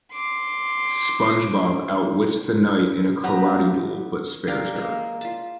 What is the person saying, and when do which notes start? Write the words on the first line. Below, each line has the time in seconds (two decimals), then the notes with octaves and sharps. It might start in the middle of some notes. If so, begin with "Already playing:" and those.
SpongeBob outwits the knight in a karate duel but spares her.
0.11 C6 D6
3.24 F#3 B3 G4 A#5
4.48 G4 A#4 D5 F5
4.76 G#3 A#3
5.21 F4 A5